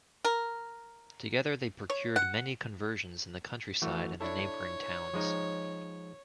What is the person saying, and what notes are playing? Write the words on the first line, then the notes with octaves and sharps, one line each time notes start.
Together they procured many conversions in the countryside and the neighbouring towns.
A#4
C#5
F#5
E3 A3 F#4
D4 E4 A4 C#5
F3 G#3 D#4